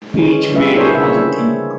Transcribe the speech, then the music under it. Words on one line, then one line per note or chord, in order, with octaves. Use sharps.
Each Mayday has a theme.
D3 E3 G#3 C#4
G3 A3 F4 G#4 B4 E5
D4 E4 G#4 A#4 C5 C#5
C#3 E5